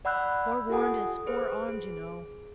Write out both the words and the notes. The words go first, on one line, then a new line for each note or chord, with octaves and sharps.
Forewarned is forearmed, you know.
D5 F#5 B5 E6 F#6 G6
F4 G4 A4 F#5 G#5 D#6
G#4 B4 C5
G#4